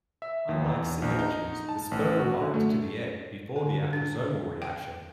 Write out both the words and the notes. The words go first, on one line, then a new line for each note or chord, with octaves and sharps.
Unlike sea urchins, the sperm binds to the egg before the acrosomal reaction.
E5
D#2
E2
A#1
D#4
A5
A1
F#4
D3
A3
D3
D4
G5